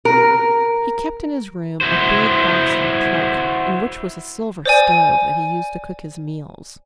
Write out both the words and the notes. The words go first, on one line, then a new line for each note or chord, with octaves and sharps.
He kept in his room a big box-like trunk, in which was a silver stove that he used to cook his meals.
A#4
E4 F#4 C5
C5 D5 G#5